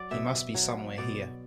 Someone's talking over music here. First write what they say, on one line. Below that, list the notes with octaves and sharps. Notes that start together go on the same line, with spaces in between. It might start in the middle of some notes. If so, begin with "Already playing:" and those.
He must be somewhere here.
Already playing: F#3 D5
B2 E5
F#3
B2 D5